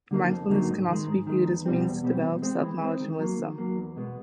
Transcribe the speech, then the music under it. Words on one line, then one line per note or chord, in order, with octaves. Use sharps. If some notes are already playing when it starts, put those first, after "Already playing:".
Mindfulness can also be viewed as a means to develop self-knowledge and wisdom.
D3 F#3 A#3 D#4
F2
D3 F#3 A#3 D#4
G#2
D#3 G#3
G#2
D#3 G#3
E2
B2 G3 C4
E2
B2 G3 C4
E3
G#3 C4
E3
G#3 C4
D#3
F#3 A#3
D#3
F#3 A#3
E2
B2 G#3 B3